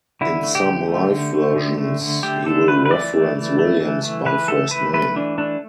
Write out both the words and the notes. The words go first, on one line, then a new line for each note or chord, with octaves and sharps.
In some live versions, he will reference Williams by first name.
D3 E4
A3
G4
D3
A3
D3
A3
D3
A3
D3
A3 G4
D3 A4
A3 B4
B4
E3 D5
A3
E3
A3
E3
A3
E3 B4
A3 A4
E3 B4
A3 B4
E3 D4
A3 D4